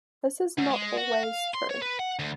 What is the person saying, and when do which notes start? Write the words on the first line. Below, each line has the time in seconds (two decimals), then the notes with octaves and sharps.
This is not always true.
0.58 D2
0.71 G#3
0.97 F#4
1.23 F5
1.54 C6
1.69 C#5
1.82 B4
1.99 F#5
2.19 D2